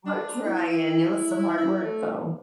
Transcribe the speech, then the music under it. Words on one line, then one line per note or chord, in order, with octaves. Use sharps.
We're trying. It was some hard work, though.
D4
E4
E4
A3